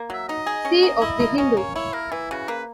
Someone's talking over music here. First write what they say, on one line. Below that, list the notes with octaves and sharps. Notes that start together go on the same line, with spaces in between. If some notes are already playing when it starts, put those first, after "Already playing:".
C of The Hindu.
Already playing: A#3
F#3 E5
D#4 D#5
G#4
C#4
A#3
E4
A#3
C#4 D#5
A#3 C#5
E4 C#5
A#3 A#4
E3 E4
C#3 F#4
A#3 B4